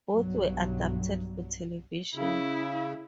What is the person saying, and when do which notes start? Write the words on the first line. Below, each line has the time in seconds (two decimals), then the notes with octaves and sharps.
Both were adapted for television.
0.14 B1 G2 F#3
2.15 C#3 E4